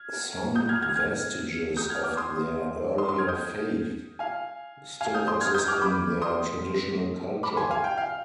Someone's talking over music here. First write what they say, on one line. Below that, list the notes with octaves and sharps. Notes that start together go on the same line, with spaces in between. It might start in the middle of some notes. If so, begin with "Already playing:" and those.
Some vestiges of their earlier faith still exist in their traditional culture.
Already playing: F6 G#6
D#6 G6
F6 G#6
F6 G#6
F6 G#6
D#6 G6
F6 G#6
D6 F6
C6 D#6
C6 D#6
C6 D#6
F6 G#6
D#6 G6
F5 G#5
F5 G#5
D#6 G6
C6 D#6
F6 G#6
D#6 G6
D6 F6
B5 D6
C6 D#6
B5 D6
G#5 C6
F5 G#5
G5
F5